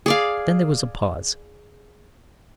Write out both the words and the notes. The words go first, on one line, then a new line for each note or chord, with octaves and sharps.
Then there was a pause.
G#4 D5 F5